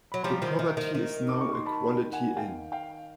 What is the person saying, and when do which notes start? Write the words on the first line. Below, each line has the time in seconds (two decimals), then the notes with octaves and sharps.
The property is now a Quality Inn.
0.12 F#3 B5
0.23 F3 G3 A#5 C6
0.42 D#3 F3
0.59 D#3
0.77 D#3
0.95 D#3
1.29 D6
1.41 C#6
1.53 C6
1.66 A5 B5
2.13 F#5 G#5
2.36 F5 G5
2.72 F5 G5